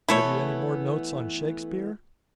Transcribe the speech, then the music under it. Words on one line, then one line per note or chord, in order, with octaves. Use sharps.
Have you any more notes on Shakspeare?
E3 A3 B3 E4 A4 C#5